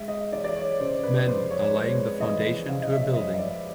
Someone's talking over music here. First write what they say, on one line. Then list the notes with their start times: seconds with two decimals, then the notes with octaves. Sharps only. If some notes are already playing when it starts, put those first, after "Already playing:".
Men are laying the foundation to a building.
Already playing: G#3 E5
0.08 D#5
0.32 E3 D5
0.44 D5
0.56 C#5
0.79 C#3 C5
1.03 B4
1.26 F2 C5
1.50 C#5
1.73 G#3 C#5
2.20 E3 D#5
2.68 C#3 F5
2.82 D#5
2.92 E5
3.15 F2 D#5
3.39 D5